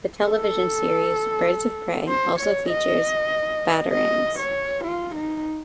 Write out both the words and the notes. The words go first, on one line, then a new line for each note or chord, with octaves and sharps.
The television series "Birds of Prey" also features batarangs.
A4
C5
C#5
D#5
D#5
C#5
F4
D#4